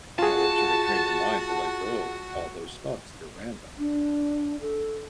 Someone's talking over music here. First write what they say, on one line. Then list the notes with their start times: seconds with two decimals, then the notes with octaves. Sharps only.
you wanna sort of train your mind to let go of all those thoughts that are random.
0.19 F4 F#4 G#4 F#5 A5
3.78 D4
4.61 A4